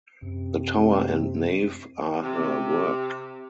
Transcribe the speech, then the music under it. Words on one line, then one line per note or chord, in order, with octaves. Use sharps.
The tower and nave are her work.
F#2 C3
C3